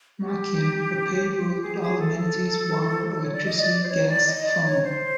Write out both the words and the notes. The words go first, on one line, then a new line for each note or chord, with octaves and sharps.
'Machian a paved road with all amenities, water, electricity, gas, phone.
G4
G#4
G4
G#4
A4
A4
C#5
D5
D#5
D5
D5
C5
C#5
D5
D#5
D5
C#5
C5